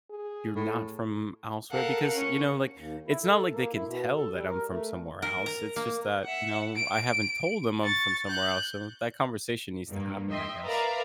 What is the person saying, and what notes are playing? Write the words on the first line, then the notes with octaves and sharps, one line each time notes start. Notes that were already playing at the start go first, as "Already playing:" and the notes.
you're not from elsewhere because, you know, like, it's not like they can tell that I'm from somewhere else, it's just that, no, I haven't told them I'm from somewhere else, so that conversation needs to happen, I guess.
G#4
A2
A4 A#4 F5 F#5
C#4
D#2
E4
A4
A#3
E4
B2
A4
G3
A#4
A3
A#4
A#5
A#3
E5 F#5
D7
C#6 A6
F#6 G6
G2 A#3
D#5 E5 G5 C6
A#4 B4 D5 E5 F5 A#5